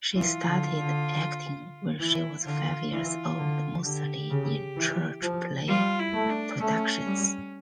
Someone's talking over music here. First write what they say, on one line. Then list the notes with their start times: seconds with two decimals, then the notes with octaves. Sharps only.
She started acting when she was five years old, mostly in church play productions.
0.15 E3 F4
0.46 D3
0.77 D3
2.00 E3 E4
2.46 D3 F4
2.92 E3 F4
3.38 D3
3.83 D3 G4
4.30 C#3
4.77 E3
5.22 F3
5.68 G3 F4
5.99 E4
6.14 A3
6.29 D4
6.60 A3 C#4
7.06 G3